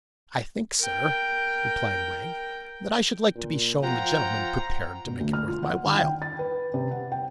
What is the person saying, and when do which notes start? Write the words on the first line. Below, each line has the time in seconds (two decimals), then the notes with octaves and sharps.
'I think, sir,' replied Wegg, 'that I should like to be shown the gentleman prepared to make it worth my while!'
0.79 A#4 G5
3.35 A#2
3.83 F3 F4 F#5 G5 A#5
5.07 B2
5.21 D2
5.33 F6
5.48 F4
5.63 F#5
5.85 D#3
5.99 G5
6.22 A6
6.39 B4
6.74 C3
6.91 F#5
7.12 G5